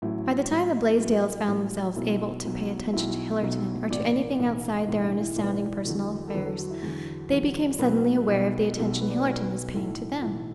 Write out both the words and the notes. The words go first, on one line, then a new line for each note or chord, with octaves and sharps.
By the time the Blaisdells found themselves able to pay attention to Hillerton, or to anything outside their own astounding personal affairs, they became suddenly aware of the attention Hillerton was paying to THEM.
A1 A2 F#3 E4
A1 A2 F#3
A1 A2 F#3 F#4
A1 A2 F#3
B1 B2 F#3 E4
B1 B2 F#3
B1 B2 F#3 E4
B1 B2 F#3
B1 A2 E3 D5
B1 A2 E3
B1 A2 E3
D4
E4
B1 A2 E3 D5
B4
D5
E2 D3 F#3
A4
E2 D3 F#3 B4
A4
F#4
E4
E2 D3 F#3
E2 D3 F#3
B1 B2 F#3 B4
B1 B2 F#3
B1 B2 F#3 A4
B4
D5
B4
B1 B2 F#3 D5
B4
B1 A2 E3 A4
B1 A2 E3